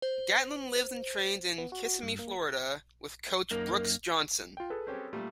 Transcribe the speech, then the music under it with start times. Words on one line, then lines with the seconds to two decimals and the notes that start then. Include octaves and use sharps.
Gatlin lives and trains in Kissimmee, Florida with coach Brooks Johnson.
0.02 C5
1.58 B3
1.72 F#4
1.85 F#4
2.03 G2
2.19 A#3
3.51 F#2 A#3 D#4 A#4
4.57 F4 G5
4.70 G#4 A4 B4
4.87 C4 C#4 G4
5.13 A#2 G3 A3